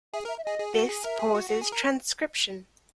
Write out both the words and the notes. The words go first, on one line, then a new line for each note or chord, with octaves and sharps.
This pauses transcription.
G#4 E5
A#4 E5
E5
G#4 D#5
G#4
F#4
G#4
A#4 E5
G#4
F#4
F#4
G#4
A#4